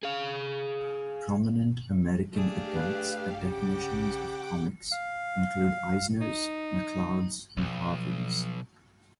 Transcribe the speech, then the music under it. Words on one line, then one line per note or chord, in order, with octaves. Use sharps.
Prominent American attempts at definitions of comics include Eisner's, McCloud's, and Harvey's.
G#4 F5
A3 D4 G4 G#4 F5
B4
C#3 G4 F#5 G5 D6
F5
D#4
B1 F3